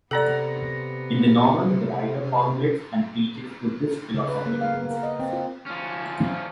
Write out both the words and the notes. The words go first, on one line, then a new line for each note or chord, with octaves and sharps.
In the novel the writer formulates and preaches Buddhist philosophical principles.
C3 B3 A4 D5 F#5 A#5
C#3
B4
A#3
F5
B3
A#4
D#5
C4
F4
F3 C#4